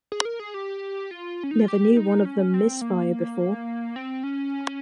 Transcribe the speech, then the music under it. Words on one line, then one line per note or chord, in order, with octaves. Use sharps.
Never knew one of them missfire before.
G#4
A#4
G#4
G4
F4
C#4
D#4
F4
G4
D#4
C#4
C4
A#3
C4
C#4